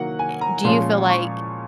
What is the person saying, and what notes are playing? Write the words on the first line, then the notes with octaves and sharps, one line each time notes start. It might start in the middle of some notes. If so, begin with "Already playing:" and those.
eh do you feel like
Already playing: D#3 F#3 A#3 F#5
G#5
A#5
A#2 F3 G#3 C#4 F4 C6
C#6